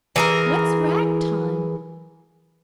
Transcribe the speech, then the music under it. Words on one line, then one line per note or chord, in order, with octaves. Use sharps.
"What's rag-time?"
E3 G#4 A#4